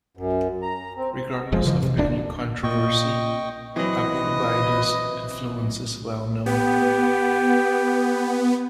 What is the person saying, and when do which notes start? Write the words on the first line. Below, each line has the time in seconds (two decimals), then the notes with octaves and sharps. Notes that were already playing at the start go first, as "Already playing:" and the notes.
Regardless of any controversy, Abu Ubaida's influence is well known.
0.17 F#2
0.62 A#5
0.97 C4
1.52 F1 F2 F3 G#3
1.65 C#3 E3 F3
1.83 C3
1.97 E1 D2 D4
2.63 A#2 D#5 G5 C#6
3.76 E3 F#3 C4 B4 D#5
6.46 B3 G4